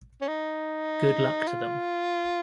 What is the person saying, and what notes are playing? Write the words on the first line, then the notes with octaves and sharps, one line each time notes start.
Good luck to them.
C#4
D#4
F4